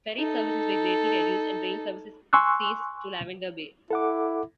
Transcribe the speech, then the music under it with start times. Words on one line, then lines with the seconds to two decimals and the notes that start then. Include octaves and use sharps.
Ferry services were greatly reduced and rail services ceased to Lavender Bay.
0.18 D#4 A4
2.33 G#5 C6 C#6 E6 F#6
3.91 E4 A4 F#5 D6